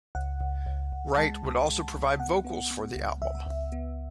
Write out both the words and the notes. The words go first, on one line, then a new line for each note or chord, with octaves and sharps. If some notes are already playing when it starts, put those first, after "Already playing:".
Wright would also provide vocals for the album.
C#2 F#5
C#2
C#2
C#2
G#3 A5
C#2
G#3
C#2
B3 F#5
B3
B3
C#2
C#2 E5
C#2
B3